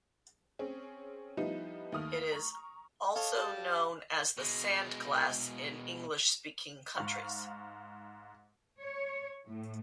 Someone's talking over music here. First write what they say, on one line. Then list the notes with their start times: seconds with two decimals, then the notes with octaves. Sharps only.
It is also known as The Sandglass in English speaking countries.
0.59 C4 C#4 G#4
1.37 F3 G3 B3 D#4 E4
1.92 D#2 A3 D#6 F6
2.32 A#5 C#6
3.16 A4 C#5 D#5 F5
3.35 G3 A5
4.37 B2 G#3
6.96 G#2 F5 C#6
8.79 C#5
9.47 A2